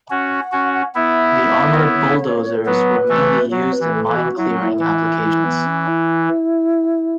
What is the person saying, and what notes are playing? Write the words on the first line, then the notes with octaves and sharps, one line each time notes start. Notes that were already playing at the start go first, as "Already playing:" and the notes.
The armored bulldozers were mainly used in mine clearing applications.
C#4 F#4 F#5
C#4 F#4
B3 E4 E5
B4
C#5
A4
F#3 B3 B4
E3 A3
F#3 C#5
B4
E3
A4
E3
F#4
F#3 E4
C#4
E4
E3
E4
B3
C#4
E4